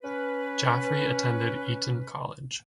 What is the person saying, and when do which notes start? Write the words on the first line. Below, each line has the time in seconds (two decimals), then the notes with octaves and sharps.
Jafri attended Eton College.
0.03 C#4 B4